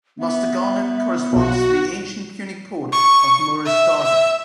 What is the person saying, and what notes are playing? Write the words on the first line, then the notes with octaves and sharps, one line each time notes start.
Mostaganem corresponds to the ancient Punic port of Murustaga.
B3 E5
B1 B2 F#4
C#6
E5
E5